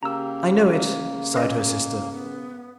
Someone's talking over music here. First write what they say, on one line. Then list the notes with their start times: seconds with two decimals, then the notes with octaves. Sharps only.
"I know it," sighed her sister.
0.03 C#3 A#3 G4 A#5 E6
1.34 C#4 A#4 B4 D#5
2.12 B3